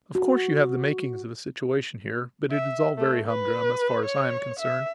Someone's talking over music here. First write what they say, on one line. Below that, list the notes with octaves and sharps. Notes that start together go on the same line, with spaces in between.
Of course you have the makings of a situation here, but it is all very humdrum, as far as I am concerned.
F#4
E5
A3
B4
C#5
E5